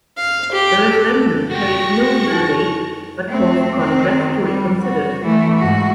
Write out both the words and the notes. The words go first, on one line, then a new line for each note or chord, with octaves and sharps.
The referendum carried no legal weight but caused Congress to reconsider.
F5
G4
A4
F#4 G5 C#6 A#6
D#4 E4
A3 C4
D#3 C4
G3
F#4
E3 A3
G#2 F#4